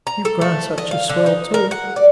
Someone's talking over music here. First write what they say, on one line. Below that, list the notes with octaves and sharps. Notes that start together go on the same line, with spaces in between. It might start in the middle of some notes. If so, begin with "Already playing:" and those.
You've grown such a swell, too.
A#5
A4
A3
D#5
F5
D3
D#4
A#4
F#5
D5